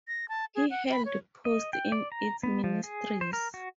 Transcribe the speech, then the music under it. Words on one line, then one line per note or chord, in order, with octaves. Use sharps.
He held posts in its ministries.
A#6
A5
G#4
F#5
B5
C#5
D#5
G5
D5
A#5
B3
F3
G#4
C5
A#4
F#4